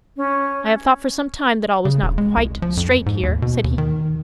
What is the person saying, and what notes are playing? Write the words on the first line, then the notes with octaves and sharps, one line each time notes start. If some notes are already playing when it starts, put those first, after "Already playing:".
'I have thought for some time that all was not quite straight here,' said he.
C#4
C#3
D#1
G#3
C2
F3
F2
G#2
D#2
B2
D#2
D#3